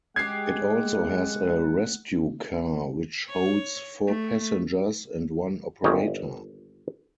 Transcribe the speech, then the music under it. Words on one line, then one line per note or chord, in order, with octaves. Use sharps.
It also has a rescue car which holds four passengers and one operator.
G#3 G4 G#4 F#5 G#6 C7
C#5
A3
G1 A#2 D#3 C#5 D#5 G5